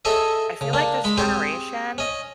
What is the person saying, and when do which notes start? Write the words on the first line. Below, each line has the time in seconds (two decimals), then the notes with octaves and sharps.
I feel like this generation-
0.05 G#4 A4 C#5 D#5 E5
0.61 C#3
0.73 A#3 D4
1.04 G#3 B5
1.17 C4 G4 G#4 C5 C#5
1.98 C#4 D#5